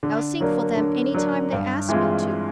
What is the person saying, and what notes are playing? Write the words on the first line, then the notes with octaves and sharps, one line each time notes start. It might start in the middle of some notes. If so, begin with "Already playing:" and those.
I'll sing for them any time they ask me to.
D3
F#3 A#3 D4
D3
F#3 A#3 D4
G2
E3 G#3 C4 F4